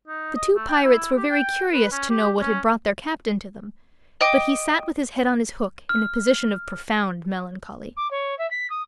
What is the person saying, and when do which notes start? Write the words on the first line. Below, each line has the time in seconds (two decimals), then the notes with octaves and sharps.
The two pirates were very curious to know what had brought their captain to them, but he sat with his head on his hook in a position of profound melancholy.
0.08 D#4
0.36 D#5
0.56 A3
0.69 G5
0.84 E4
1.17 G4
1.31 G5
1.73 B4
1.92 C#4
2.10 G4
2.40 C#4
4.21 D#5 G5 D6
5.89 F6
7.97 D6
8.11 C#5
8.39 E5
8.51 B6
8.70 D#6